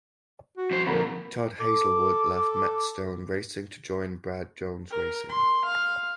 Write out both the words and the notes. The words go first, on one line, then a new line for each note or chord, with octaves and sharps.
Todd Hazelwood left Matt Stone Racing to join Brad Jones Racing.
F#4
F2 C5
F2 A#2 D3 A#4 A#5 B5
A4 D6
A#4
C6
F5